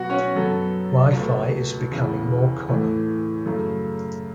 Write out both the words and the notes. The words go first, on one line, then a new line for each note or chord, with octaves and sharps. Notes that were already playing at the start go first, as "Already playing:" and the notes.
WiFi is becoming more common.
Already playing: B2 F#3 B3 F#4 F#5
C#4 C#5
F#2 F#3 B3 A4
C#2 B2 A3
E2 C#3 E3
A2 E3 A3
F#2 C#3 A3